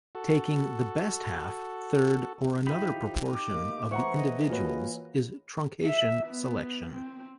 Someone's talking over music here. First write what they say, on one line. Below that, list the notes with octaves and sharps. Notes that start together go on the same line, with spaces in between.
Taking the best half, third or another proportion of the individuals is truncation selection.
F#4 A4
D#3 F3 D#4 E4 G4 B5
D6
A#3 D#5
E3 A3 C5 E5 F#5 A#5 C#6
D#5
A#3 F4 F#4 G#4 B4 C#5
E5
B3
C4